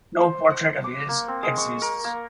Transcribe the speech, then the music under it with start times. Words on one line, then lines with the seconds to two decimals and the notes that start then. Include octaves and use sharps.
No portrait of his exists.
0.20 C5
0.50 F#5
0.84 D6
1.08 A#3
1.28 C4
1.43 G#3
1.58 C#6
1.82 A#4
2.04 A#3